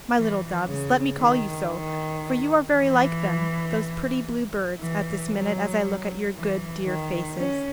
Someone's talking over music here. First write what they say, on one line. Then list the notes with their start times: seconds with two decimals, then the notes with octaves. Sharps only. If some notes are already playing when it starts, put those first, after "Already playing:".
My little doves--let me call you so, for you are very like them, those pretty blue birds, at this minute as I look at your good dear faces.
0.16 E3
0.67 C#3
1.18 D#3
1.70 D#3
2.73 E3
4.80 E3
5.31 F#3
6.35 E3
6.85 D#3
7.37 C#4